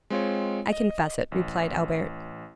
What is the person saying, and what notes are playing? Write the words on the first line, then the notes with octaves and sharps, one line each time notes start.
"I confess it," replied Albert.
G#3 C4 F4 C#5
D#5
A1